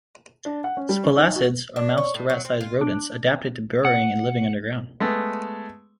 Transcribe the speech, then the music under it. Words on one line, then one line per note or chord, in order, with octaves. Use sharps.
Spalacids are mouse- to rat-sized rodents, adapted to burrowing and living underground.
D4
F#5
C#4
G3
C#4
D#4
F#4
D4
C#5
A2
F#3
C4
F4
D4
F#5
G#3 A3 B3